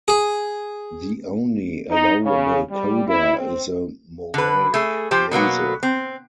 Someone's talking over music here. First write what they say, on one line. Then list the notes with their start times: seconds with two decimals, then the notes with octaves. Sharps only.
The only allowable coda is a moraic nasal.
0.08 G#4
1.90 D#4
2.24 C#3
2.70 G3
3.07 E4
3.37 C4
4.34 D3 B4
4.74 A3 G#4
5.11 F3 G4 C5
5.31 B2 F#3 A#3 B3
5.83 C4